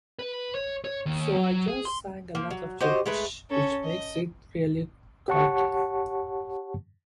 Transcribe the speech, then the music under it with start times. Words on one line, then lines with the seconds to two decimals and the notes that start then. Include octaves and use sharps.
So I just sang a lot of gibberish, which makes it really quirky.
0.19 B4
0.55 C#5
0.85 C#5
1.06 D#2
1.37 F#3
1.68 G#4
1.85 C6
2.35 F3 A#3
2.51 F#3
2.80 F#4 G4 C5 D#5
3.06 G#3 A3 B4
3.50 C#4 A4
3.85 D#5
5.28 G4 C#5 F#5 A5 C#6